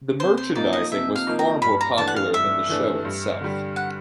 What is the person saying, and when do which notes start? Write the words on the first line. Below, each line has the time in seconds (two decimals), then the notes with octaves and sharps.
The merchandising was far more popular than the show itself.
0.20 C3 C5
0.37 C5
0.55 F3 A#3 D#4 D5
0.73 D#5
0.91 C3 E5
1.16 F5
1.27 F3 A#3 D#4
1.39 A#5
1.62 G2 B5
1.81 A#5
1.98 E3 A3 D4 A5
2.07 F#5
2.16 F5
2.34 G2 E5
2.69 E3 A3 D4
3.05 G2
3.41 D3 G3
3.76 F#5